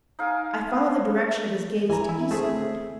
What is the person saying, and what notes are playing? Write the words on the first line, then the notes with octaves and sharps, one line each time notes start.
I follow the direction of his gaze to eastward!
D#4 F5 G#5 D6
E3 G#5 A#5
E4
A3 C4 G#4 E5